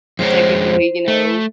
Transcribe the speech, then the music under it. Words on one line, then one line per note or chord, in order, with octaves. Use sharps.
technically, you know,
F2 G#3 C5 C#5
A3